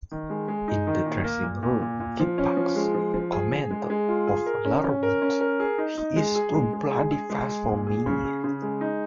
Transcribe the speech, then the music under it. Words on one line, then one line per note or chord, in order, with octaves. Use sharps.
In the dressing room, Kippax commented of Larwood, "he's too bloody fast for me".
D#3
G#3
G#3
D#4
D#3
A#2
A#3
A#2
A#2
A#2
A#2
F3
C#4
F3
G#3
F3
F3
G#4
G#4
G#3
G#3
F4
G#4
A#4
C#4
C#4
A#4
C#4
A#4
G#4
D#4
D#4
G#3
G#4
G#3
G#3
G#4
G#4
G#3
G#4
A#2
G#4
C#3
G#4
C#3
G#3
D#4